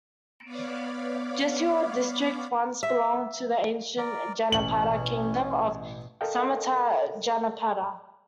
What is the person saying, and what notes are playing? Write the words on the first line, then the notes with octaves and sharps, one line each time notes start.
Jessore district once belonged to the ancient Janapada kingdom of Samatat Janapada.
B3 C#5 D5 F5 B5 D6
E5
A#4 D5
A1 B2 E3 C#4 F#7
A4 A#4 D#5 F5 G5